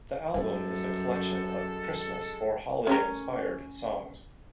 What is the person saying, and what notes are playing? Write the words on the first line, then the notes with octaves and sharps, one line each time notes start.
The album is a collection of Christmas or holiday-inspired songs.
F#2 G3 G#3 A4
A3 C#4 G4 A#4